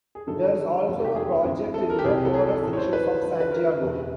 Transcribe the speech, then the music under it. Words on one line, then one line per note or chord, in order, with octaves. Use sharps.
There is also a project in the poorer sections of Santiago.
G#4
G1 G2 D#3 F#3 A4
F1 D#2 D#3 F#3
G4
G#4
G#1 G2 E3
A4
A#4
G4
C2 C3 E3 G#4
A4
G#4
A4
A1 A2 E3
C#5
C5
B4
D2 D3 F#3
B4
A#4
E1 E2 C#3